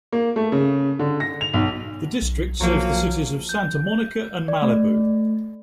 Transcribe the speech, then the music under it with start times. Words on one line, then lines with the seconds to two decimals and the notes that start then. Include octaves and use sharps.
The district serves the cities of Santa Monica and Malibu.
0.12 A#3
0.36 A3
0.52 C#3
0.99 D3
1.20 A#6
1.41 F7
1.54 B1
2.22 B1
2.61 B1 F3 F#3 A#3
3.49 G6
4.48 D5
4.62 A3